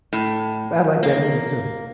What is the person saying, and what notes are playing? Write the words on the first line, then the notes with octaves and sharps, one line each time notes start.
I like that movie too,
A2
A#3